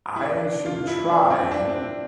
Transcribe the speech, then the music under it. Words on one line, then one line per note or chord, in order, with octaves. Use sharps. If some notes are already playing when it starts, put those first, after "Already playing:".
I should try
E4
D4
D4
F4
E4
D4
C4
D4
C4
D4